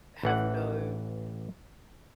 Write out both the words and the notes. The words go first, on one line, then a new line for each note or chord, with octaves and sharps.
have no
A1 E3 F#5